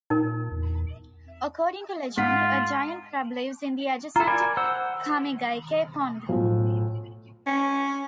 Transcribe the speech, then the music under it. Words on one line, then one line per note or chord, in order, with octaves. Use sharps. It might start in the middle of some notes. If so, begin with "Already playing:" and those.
According to legend, a giant crab lives in the adjacent Kamegaike Pond.
A#2 D#4 A#4
E2
G#2 F4 F#5 B6
F4 A4 A#5 B5
A#4 D5 G#5
C5 F#5 E6
B1 A2 F3
C#4